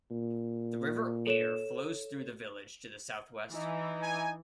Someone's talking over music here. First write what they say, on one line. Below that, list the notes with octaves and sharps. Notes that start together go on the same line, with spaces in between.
The River Aire flows through the village to the south-west.
A#2
A4 C#5 E7
E3 D#4
G#5